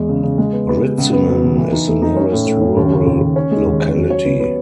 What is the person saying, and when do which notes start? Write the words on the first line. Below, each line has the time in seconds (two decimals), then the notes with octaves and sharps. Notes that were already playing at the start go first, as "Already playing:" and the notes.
Gritsinin is the nearest rural locality.
Already playing: E2 G#3
0.09 C#3
0.23 C#3
0.38 G#3
0.53 B3
0.68 B3
0.83 B3
0.98 C#2
1.13 B3
1.27 F#3
1.42 B2
1.57 E3
1.72 D#4
1.87 A3
2.02 D#4
2.17 C#4
2.32 A2
2.47 A2
2.61 C#4
2.77 D#2
2.91 C#3
3.06 D#2
3.21 D#2
3.36 C#4
3.51 G#3
3.66 D#2
3.81 C#4
3.95 F#3
4.10 C#5
4.25 B3
4.40 B3